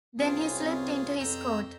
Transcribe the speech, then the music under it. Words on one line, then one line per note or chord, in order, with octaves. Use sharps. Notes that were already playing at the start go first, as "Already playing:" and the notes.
Then he slipped into his coat.
C2 C4 C#4 F4 G#4 B4
F2 A#5 E6 G6